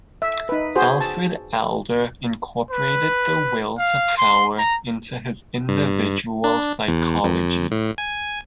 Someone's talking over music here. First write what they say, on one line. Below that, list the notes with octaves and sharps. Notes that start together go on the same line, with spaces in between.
Alfred Adler incorporated the will to power into his individual psychology.
E5
D#4 B4
F#4 G#4 C5
A5
B4
F5
C6
A#5
G2
D4
E2
F2
A2
G#5